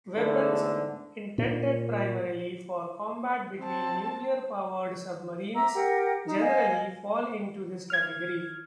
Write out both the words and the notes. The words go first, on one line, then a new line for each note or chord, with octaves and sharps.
Weapons intended primarily for combat between nuclear-powered submarines generally fall into this category.
E2 G#2 D3 A3
A#2
C4 A5
E5 A#5 D6 E6
G4 A#4 F#5
D#4
D#5 F5 G#5
F6 G#6